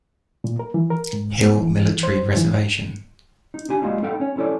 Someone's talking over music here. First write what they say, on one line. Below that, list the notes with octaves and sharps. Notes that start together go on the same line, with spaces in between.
Hill Military Reservation.
A#2
A#4
E3
A#4
G#2
B3
E3
C5
E3
D#4
D4 G4 G#5
G3 G#3 A#3 F4 F#4 D#5
B3 D#4 A4 F5 G5
C#4 C#5
C#4 E4 A4 C#5 D5